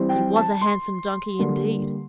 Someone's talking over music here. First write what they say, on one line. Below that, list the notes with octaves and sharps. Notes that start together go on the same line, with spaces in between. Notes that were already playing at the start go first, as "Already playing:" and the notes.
He was a handsome Donkey indeed!
Already playing: E3 G3 C4
G5
A5
C6
D3 G3 A#3